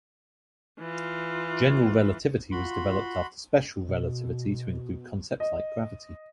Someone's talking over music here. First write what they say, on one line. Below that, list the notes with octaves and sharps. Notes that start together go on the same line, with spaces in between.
General relativity was developed after special relativity to include concepts like gravity.
E3 F4
F4 F#4 B5 C6
B2
D#5